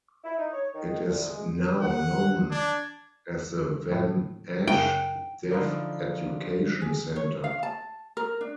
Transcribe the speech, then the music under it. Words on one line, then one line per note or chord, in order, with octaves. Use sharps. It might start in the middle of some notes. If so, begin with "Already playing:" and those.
It is now known as the van Asch Deaf Education Centre.
E4
D#4
C#5
D#3
C2
G#3
F#5
D4 G#6
A2
F#2 C#3 G5
D3 F3 D#4 E4 C5 D5
G#4
C#5
F5
A5
A#4
D4